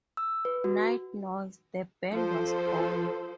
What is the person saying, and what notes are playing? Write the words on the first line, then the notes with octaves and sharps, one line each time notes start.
Nightnoise, the band, was born.
E6
B4
F#4
F3 A4 C5